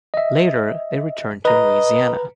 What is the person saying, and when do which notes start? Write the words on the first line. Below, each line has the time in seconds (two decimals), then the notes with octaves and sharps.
Later they returned to Louisiana.
0.14 D#5 E5
1.45 B4 D#5 A#5